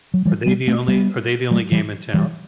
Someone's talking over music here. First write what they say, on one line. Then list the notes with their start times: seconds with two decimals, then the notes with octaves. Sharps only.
Are they the only are they the only game in town?
0.14 F#3
0.25 E3 G3
0.46 G3 B3
0.67 A3 C4
0.88 G3 B3
1.51 F#3 A3
1.72 E3 G3
2.14 E3 G3